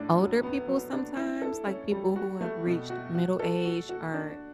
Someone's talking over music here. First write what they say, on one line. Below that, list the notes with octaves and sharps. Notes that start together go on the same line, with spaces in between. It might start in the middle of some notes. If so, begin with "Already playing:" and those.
older people sometimes, like people who have reached middle age or,
Already playing: A2 D4
F#3
B3
F#3
D4
E4
A4
C#4
G3
F#4
A3
B2
F#4
F#4
A4
F#4
F#4
D4